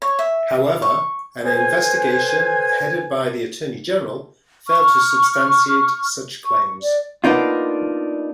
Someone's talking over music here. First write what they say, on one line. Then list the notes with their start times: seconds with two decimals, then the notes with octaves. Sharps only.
However, an investigation headed by the Attorney General failed to substantiate such claims.
0.02 C#5
0.19 E5
0.82 C#6
1.44 A4 B4 C5 G#5
4.68 C#6 F6
6.45 C#6
6.82 D5
7.24 A#3 B3 D4 D#4 F4